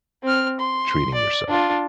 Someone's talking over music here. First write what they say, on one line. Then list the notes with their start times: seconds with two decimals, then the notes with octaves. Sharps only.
Treating yourself?
0.23 C4 F6
0.59 C6
1.14 D5
1.48 D4 F4